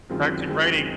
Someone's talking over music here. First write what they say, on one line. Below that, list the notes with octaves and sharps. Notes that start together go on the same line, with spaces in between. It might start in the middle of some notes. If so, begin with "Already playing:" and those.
actually raining
F#2 D#3 G#3 C4 F4
F#2 D#3 G#3 C4 F4